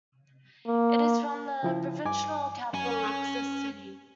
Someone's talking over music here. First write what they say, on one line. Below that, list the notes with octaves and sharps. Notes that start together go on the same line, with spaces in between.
It is from the provincial capital, Roxas City.
A#3
C#3 F3 E4
G2 G#5 D6
F#2 C#4 G#5